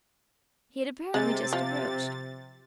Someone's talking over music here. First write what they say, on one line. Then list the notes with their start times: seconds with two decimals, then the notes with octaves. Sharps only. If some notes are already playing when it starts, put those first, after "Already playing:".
He had apparently just approached.
1.14 C3 G#3 A6
1.53 F3